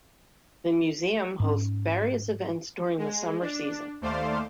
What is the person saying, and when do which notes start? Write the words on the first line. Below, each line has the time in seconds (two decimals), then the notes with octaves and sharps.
The museum hosts various events during the summer season.
1.40 G#2 C#4
2.98 G#3
3.41 D4
4.01 D#2 A3 C5 D5 F5 C6